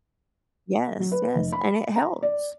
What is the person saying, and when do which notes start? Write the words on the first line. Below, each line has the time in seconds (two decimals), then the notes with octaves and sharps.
Yes, yes, and it helps.
1.00 F#3
1.12 B4
1.36 F1
1.52 B5
1.96 A#5
2.23 D5